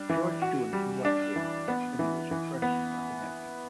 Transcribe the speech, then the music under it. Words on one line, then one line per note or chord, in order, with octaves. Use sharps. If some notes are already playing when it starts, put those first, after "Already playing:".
George Jones worked there when he was first starting out.
Already playing: G3 D4
E3
F#4
G3
D4
E3
B3
E3
E3
B3